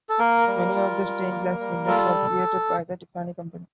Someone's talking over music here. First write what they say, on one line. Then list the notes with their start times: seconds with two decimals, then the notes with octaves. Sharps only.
Many of the stained glass windows were created by the Tiffany Company.
0.09 A4
0.19 A#3 A#4
0.47 G3
0.75 F4
1.04 G3
1.31 A#3
1.60 G3
1.88 F4 A4